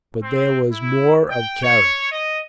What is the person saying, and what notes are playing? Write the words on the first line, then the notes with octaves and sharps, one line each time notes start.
But there was more of character.
C4
E4
G5
C#5
D#5